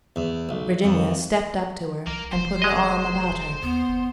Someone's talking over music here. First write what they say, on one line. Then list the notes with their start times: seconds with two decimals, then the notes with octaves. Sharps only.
Virginia stepped up to her and put her arm about her.
0.16 E2
0.49 B1
0.84 F2
2.07 C2 A#3
2.32 F1 C5
2.62 G#3 D#5
3.63 D#2 B3
3.89 F#1